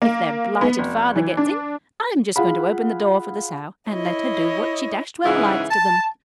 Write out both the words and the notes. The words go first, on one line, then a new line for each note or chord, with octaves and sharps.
If their blighted father gets in, I'm just going to open the door for the sow, and let her do what she dashed well likes to them.
A#3
B3
F1
E3
D4
F4 G#4 F5 F#5 B5
E4 C#5 D#5
G#2 C#3 E3 E4 G#4 F#5
A5